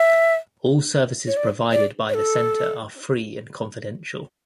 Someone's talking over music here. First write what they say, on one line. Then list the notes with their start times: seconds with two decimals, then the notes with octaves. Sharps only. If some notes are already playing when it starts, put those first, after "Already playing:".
All services provided by the center are free and confidential.
Already playing: E5
1.27 C#5
1.37 D5
1.72 D5
2.09 C#5
2.14 A4